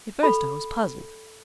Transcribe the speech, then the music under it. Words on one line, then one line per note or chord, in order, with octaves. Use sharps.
At first I was puzzled.
A4 B5